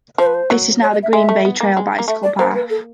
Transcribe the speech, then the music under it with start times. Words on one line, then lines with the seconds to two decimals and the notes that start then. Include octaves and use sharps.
This is now the Green Bay Trail bicycle path.
0.18 F3 C5
0.26 B4
0.34 C5
0.50 F#3
0.82 C#5
0.93 D#5
1.03 E5
1.13 G#3 E5
1.29 A3
1.45 B3
1.60 A#3
1.77 G#3
1.99 A#3
2.08 A3 E5
2.23 D5
2.39 A#3 C5
2.55 B4
2.70 A4